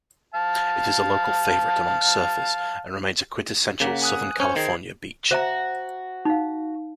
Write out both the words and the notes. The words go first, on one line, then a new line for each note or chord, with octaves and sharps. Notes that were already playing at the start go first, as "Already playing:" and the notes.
It is a local favorite among surfers and remains a quintessential Southern California beach.
F5 A5
C#3 A#3 F#5 B6
G#5 D#6 F#6
C#4 C5 C#5
D#3 G#4 G#6 C7
F#4 C5 E5 A#5
D#4 F5